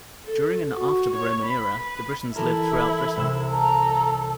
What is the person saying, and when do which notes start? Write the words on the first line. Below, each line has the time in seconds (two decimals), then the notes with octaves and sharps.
During and after the Roman era, the Britons lived throughout Britain.
0.24 A4
0.74 F#4
1.15 C#5
1.44 B5
1.79 B4
2.36 E3 E4 A4 A#4
3.16 C2 C3 E6
3.51 A4 A#5